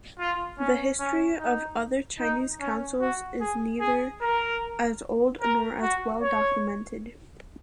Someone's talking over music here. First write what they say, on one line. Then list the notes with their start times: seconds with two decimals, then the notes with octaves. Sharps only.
The history of other Chinese councils is neither as old nor as well documented.
0.19 F4
0.59 C#4
1.00 C#4
1.40 D#4
2.20 D#4
2.61 C#4
3.01 F#4
3.41 G#4
3.80 G#4
4.22 A#4
5.42 A#4
5.82 F#4
6.22 C#5